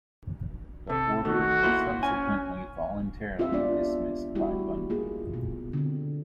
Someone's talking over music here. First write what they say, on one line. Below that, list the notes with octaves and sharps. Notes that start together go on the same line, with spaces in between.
The order was subsequently voluntarily dismissed by Bundy.
C3 A4
D#3 A3 F#4
A#3 E4 C5
C#4 G#5
C4 F4 G4 C5 E5
G#3 B3 D4 F4 D5
G3 A3 E4 F#4 G4
A#3 F4 G#4
B2
D3 C4